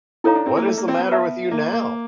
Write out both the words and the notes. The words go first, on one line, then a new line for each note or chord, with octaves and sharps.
What is the matter with you now?
D#4 E4 A4 C#5 F5 A#5
D4
C4
A#3
A3
A#3
C4
B3
B4 E5 A5
A#3
A#3